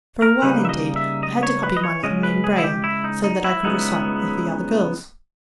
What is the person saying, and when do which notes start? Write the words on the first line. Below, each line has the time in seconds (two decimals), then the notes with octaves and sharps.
For a while, indeed, I had to copy my Latin in braille, so that I could recite with the other girls.
0.22 A#4
0.42 C#3 G3 A#3 D#4 B4
0.65 E5
0.69 D#5
0.96 E5
1.23 D#5
1.43 C#5
1.63 B4
1.77 D#5
1.84 C#5
2.03 C#3 G#3 C#4 D#5
2.23 B4
2.44 G#4
2.58 E4
2.64 G4
2.84 E4
3.04 D#4
3.24 D#4
3.44 E4
3.64 C#2 C#3 G#3 B3 D#4